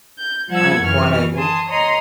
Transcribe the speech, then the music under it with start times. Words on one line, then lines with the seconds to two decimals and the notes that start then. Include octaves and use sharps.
"I am quite able."
0.18 G6
0.48 F3 G3 F#5 A5 E6 G#6
0.81 F#2 E3 C#6 F6
1.35 G#5 A5 C6 D#6
1.68 C#5 D#5 A#5 C6 D#6